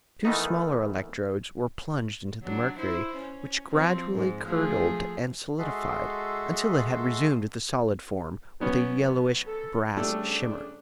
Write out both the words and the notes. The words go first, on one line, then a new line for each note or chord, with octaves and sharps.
Two smaller electrodes were plunged into the mercury, which gradually curdled and solidified, until it had resumed the solid form, with a yellowish brassy shimmer.
D#3 E3 A3 B3 D#4
F#3 D4
E4 C5
C#4
F3 C4
G#2
F3 A3 G#4
G#3 F#4 G#4 A4 E5 C6
F#3 B3 C#4
A4
F2 C#3 G3 A3 D4 A4